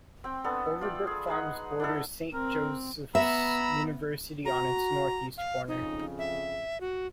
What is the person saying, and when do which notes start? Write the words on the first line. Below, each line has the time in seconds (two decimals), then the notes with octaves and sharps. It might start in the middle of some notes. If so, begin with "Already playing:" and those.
Overbrook Farms borders Saint Joseph's University on its northeast corner.
0.24 C4 G5
0.44 B3 D4 A4
0.81 F4 D5 E5 G5
1.07 G#4 A5
1.27 G#3 D#4 G#4 F#5
1.80 D4 E4 A4
2.34 C4 A#4
3.15 B3 E5 A#5 B5 E6
4.45 F#4 A#5
5.37 F5
5.68 F2 C#3 D#4
6.19 E5
6.81 F#4